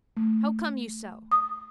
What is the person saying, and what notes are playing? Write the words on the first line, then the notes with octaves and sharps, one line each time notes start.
How come you so?
A3
D#6